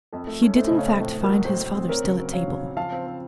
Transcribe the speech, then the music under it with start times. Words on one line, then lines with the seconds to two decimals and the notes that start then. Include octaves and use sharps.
He did in fact find his father still at table.
0.12 F2 A4
0.27 A3
0.42 C#4
0.56 A3 A4 C5
0.67 C#3 C5 D#5
0.79 C#5 F5
0.86 F2 C5 D#5
1.00 A2 A4 C5
1.16 A2
1.23 F#4 A#4
1.30 F#3
1.45 A2 A4 C5
1.60 A2
1.74 C4
1.89 C4 A#4 C#5
2.04 C#3
2.19 F#3
2.33 F#3 C#5 F5
2.48 C#3
2.63 C#3
2.77 F3 F5 A5
2.92 C4
3.07 C4